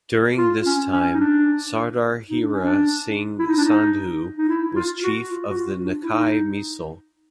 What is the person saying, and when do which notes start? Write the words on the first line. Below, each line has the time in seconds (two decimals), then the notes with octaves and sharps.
During this time Sardar Heera Singh Sandhu was chief of the Nakai Misl.
0.38 F4
0.66 C#4
0.92 C#4
1.14 D#4
1.20 D4
2.30 D#4
2.41 D4
2.53 C#4
2.64 D4
3.39 E4
3.48 D#4
3.56 D4
3.65 D#4
4.38 D#4
4.49 E4
4.76 F4
5.04 F#4
5.30 F4
5.50 F#4
5.58 F4
5.85 D4
6.03 E4
6.13 D#4